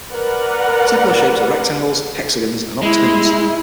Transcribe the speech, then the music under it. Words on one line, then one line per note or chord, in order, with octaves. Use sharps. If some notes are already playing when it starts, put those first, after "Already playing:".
Typical shapes are rectangles, hexagons, and octagons.
A#4 B4 D5 F#5
G#3 E4